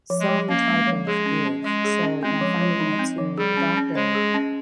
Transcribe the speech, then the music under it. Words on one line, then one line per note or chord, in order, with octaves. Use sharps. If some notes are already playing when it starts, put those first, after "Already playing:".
some type of give. So, you know, I finally went to the doctor,
F3
G#3
F3
A#3 C#4
G#3
F3
G#3 G#4
C#4
C#4
G#3 D#5
G#4
C#4
G#3 C4
F3
F3
D#4
C4
F3
G3 G#4
C#4
C#4
G#3 C5
G#4
C#4